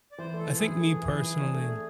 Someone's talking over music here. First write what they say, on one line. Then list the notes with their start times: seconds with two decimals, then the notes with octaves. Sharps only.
I think me personally
0.12 D5
0.18 E3 C5
0.33 A3 A4
0.49 E3
0.58 G#4
0.64 E3
0.79 A3
0.93 E3
1.08 E3
1.24 E3
1.39 D4
1.54 A3
1.69 A3